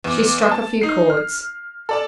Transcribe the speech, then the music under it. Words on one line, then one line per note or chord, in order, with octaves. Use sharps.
She struck a few chords.
E2 D6
A5
D#4 C7
F6
A4 D5 A5